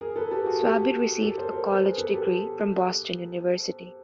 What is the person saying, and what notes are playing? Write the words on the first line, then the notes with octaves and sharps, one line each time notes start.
Swaby received a college degree from Boston University.
G#4 A#4
A4 B4
G4 A4
F#4 G#4
G4 A4
G4 A4
A#4 C5
A#4 C5
A4 B4
G#4 A#4
A4 B4
G4 A4